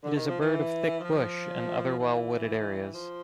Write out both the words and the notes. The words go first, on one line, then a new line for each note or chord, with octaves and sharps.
It is a bird of thick bush and other well-wooded areas.
D3
D#3
F3
E3
F3
E3
F3